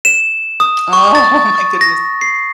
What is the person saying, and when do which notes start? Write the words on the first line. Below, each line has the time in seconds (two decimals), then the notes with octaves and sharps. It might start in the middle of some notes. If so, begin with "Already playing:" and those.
Oh, my goodness.
0.05 E7
0.60 D#6
0.93 C#6
1.15 A6
1.81 A#6
2.21 C7